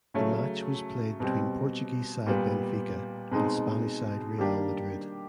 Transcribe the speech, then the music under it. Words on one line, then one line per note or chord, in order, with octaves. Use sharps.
The match was played between Portuguese side Benfica and Spanish side Real Madrid.
C#3 F#3 A3 C#4
B2 G3 C4
A#2 G3 B3
B2 G#3 C4 D#4
D#3 G3 A#3 D4 G4